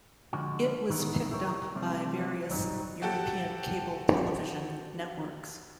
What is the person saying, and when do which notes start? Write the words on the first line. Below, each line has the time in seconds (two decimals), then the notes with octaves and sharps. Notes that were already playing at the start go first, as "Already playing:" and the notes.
It was picked up by various European cable television networks.
0.33 D3 F3 G#3 F#4
0.90 D#3 E3 G#3 B3
1.31 E4 G4 A#4 C#5
1.75 C3 G3 A3 C4 D4
2.50 F#3 G3 D#4
3.02 F#4 G4 A4 F#5 G5 A5